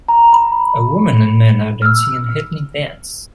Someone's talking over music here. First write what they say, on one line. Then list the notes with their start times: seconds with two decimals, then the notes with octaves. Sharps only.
A woman and man are dancing an ethnic dance.
0.08 A#5
0.33 B5
1.82 F6
1.86 E6